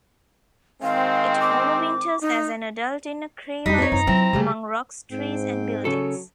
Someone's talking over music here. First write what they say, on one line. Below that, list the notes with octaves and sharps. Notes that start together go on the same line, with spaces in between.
It overwinters as an adult in a crevice among rocks, trees, and buildings.
D#3 G#3 C4 F5
D6
D#4
F2 G3 D#4 G4 B6
C4 B4 C#5
F#2 A#5
F#3 C4 E4 F4
C#3 G3 A3 G#4
G#2 C4
C#3 F#3 A4